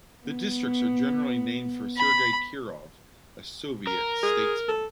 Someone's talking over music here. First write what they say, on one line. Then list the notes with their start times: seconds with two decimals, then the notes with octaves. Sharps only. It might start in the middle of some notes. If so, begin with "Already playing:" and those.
The districts are generally named for Sergey Kirov, a Soviet statesman.
0.27 B3
1.97 B5
3.87 A#4
4.23 G#4
4.68 A4